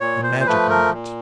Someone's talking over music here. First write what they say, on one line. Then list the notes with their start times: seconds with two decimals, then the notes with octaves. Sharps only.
A magic moment.
0.01 A#2 C#5
0.23 C5
0.40 C5
0.47 F3 A3 B4
0.70 A#4
0.92 A#2